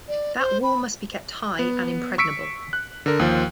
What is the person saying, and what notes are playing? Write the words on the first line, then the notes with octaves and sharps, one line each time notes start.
That wall must be kept high and impregnable.
D5
C5
B5
B3
C#6 E6 B6 C#7 D7
F#6
D3 A#4
D#2 F3